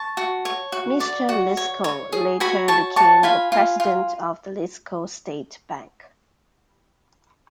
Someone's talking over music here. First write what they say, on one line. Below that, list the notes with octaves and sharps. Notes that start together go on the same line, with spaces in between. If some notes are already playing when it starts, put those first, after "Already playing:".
Mr. Lisco later became the president of the Lisco State Bank.
Already playing: A5 C#6
F#4
C#5
F#4
D5
F#4
C#5
C#5
G#4
F#4 G#5 B5
C#5 A5 C#6
F#4 A5 C#6
F4 G#5 B5
F4
F4